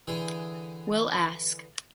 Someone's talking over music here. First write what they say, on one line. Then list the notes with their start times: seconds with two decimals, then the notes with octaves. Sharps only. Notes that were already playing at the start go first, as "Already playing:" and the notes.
We’ll ask.
0.07 D3 E3 G#4 G5